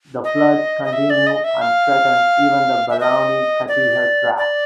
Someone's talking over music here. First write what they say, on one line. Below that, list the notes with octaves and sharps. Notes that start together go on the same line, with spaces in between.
The floods continue and threaten even the Barauni–Katihar tracks.
D#5
D#5
E5
D5
D#5
E5
F5
E5
D#5
D5
D5